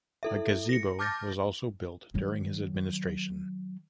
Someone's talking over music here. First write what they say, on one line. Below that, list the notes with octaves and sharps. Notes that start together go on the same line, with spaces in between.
A gazebo was also built during his administration.
E4 A4 E5
A#6 C#7
A5 D6 F6 G6 A6 A#6
D#3 F#3